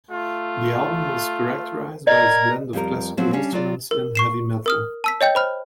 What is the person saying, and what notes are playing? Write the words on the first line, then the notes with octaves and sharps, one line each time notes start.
The album was characterized by its blend of classical instruments and heavy metal.
A3 F4
A#4 D5 D#5 A#5 G#6
F2 G3 A#4
F3 F#3 C4
G3 C#4 D4 F5
F#3 F4 D5
A#4
C#6 C7 E7
A#4 D#6 F6
A5 E6 B6
C#5 D#5 G5 G6
C5 B5 F6